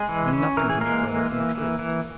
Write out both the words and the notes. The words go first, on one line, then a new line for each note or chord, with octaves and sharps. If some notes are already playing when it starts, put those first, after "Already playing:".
When nothing can be further from the truth.
Already playing: G#3 G#4
E3
C#4
E3 A#4
G#4
G#3 A#3 A#4
E3
E3
E3
E3